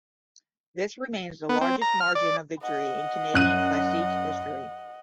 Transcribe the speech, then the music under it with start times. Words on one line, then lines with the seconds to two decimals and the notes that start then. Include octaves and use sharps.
This remains the largest margin of victory in Canadian Classique history.
1.49 B3
1.61 C4
1.82 A#5
2.00 F6
2.15 D5
2.62 D#5 F#5
3.34 F#2 F#6 D#7